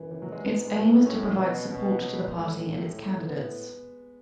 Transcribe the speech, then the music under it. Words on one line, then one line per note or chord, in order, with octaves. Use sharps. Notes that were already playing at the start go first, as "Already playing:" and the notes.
Its aim is to provide support to the party and its candidates.
Already playing: F#2 E3
E3
F#3
G#3
G#2 B3
G#3
A2 A3
B3
C#4
B2
B2 C#4
B3
B2 F#3
A2 G#3
A2 B3